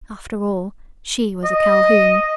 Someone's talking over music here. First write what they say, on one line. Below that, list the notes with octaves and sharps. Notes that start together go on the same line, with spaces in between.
After all, she was a Calhoun.
D#5